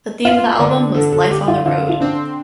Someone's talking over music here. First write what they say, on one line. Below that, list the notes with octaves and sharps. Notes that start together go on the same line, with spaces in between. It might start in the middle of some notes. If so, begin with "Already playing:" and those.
The theme of the album was life on the road.
F4 F5
D3 D5
D3 A4
A4
D3 G4
F4
D3 F4
F4
C4 D4